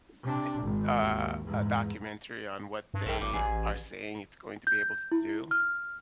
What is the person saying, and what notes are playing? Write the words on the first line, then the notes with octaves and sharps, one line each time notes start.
s eh uh, a documentary on what they are saying it's going to be able to do.
C3 D4
G#1 G#2
D#2
E2 G#2
G2
A#1 A4 A#4 G5
G#1 D6
A1 G#4
G6
E4
F6